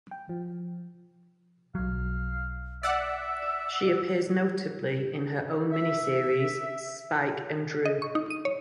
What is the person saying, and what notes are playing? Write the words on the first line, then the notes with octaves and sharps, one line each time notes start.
She appears notably in her own mini-series: "Spike and Dru".
G5
F3
B1 F#3 F5
D5 E5 F#5 E6
E5
D#5
C#6
D#4
D#7
C#5